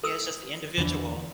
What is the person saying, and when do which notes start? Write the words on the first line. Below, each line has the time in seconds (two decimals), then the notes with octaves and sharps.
Yeah, it's just the individual.
0.03 A4 D#6 E6
0.77 E2 D3 E3 D4